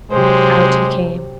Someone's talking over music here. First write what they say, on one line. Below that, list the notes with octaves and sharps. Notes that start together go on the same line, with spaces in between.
Out he came.
C3 F#3 G#3 G4 C5